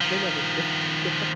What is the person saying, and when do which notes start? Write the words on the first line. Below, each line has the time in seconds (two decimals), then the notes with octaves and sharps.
They never do, yeah.
0.01 D#3 F3